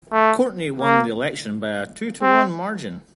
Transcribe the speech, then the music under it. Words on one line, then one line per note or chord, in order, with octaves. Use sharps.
Courtney won the election by a two-to-one margin.
A3
A#3
C4